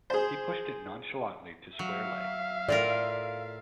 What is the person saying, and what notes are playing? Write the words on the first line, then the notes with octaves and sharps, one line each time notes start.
He pushed it nonchalantly to square leg.
G#4 C5
F#3 E5 F5
A2 F4 A#4 D5